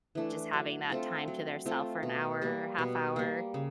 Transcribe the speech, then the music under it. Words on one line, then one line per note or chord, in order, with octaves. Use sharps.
just having that time to their self for an hour, half hour
E3 A3 D4
F#3
A3 C4 F4
F#3
A3 C4 F4
B2
G3 A#3
B2
G3 A#3
C#3